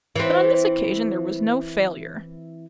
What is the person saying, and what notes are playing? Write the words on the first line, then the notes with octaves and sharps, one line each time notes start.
But on this occasion there was no failure.
E3 C4